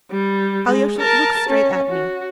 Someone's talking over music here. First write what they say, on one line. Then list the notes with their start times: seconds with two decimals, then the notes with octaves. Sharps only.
Alyosha, look straight at me!
0.11 G3
0.67 G#3
0.98 A#4 A5
1.48 C#4
1.88 F#4